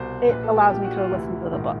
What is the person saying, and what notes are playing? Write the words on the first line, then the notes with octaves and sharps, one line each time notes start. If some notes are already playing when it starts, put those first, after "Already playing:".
it allows me to listen to the book
Already playing: C2 B2 C5
A#1 A#2 B4
A4
G4
A#1 A#2 G4
F#4
F4
D2 C3 E3 E4
A#1 G#2 D#3